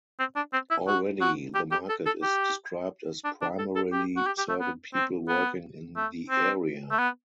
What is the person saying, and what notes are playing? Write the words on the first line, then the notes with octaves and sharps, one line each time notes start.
Already the market is described as primarily serving people working in the area.
C4
D4
C4
E4
F#4
F#4
G4
G4
A4
A4
G4
D4
D4
A4
A4
G4
F#4
G4
G4
A3
B3
C4
B3
A3
C4
A3
B3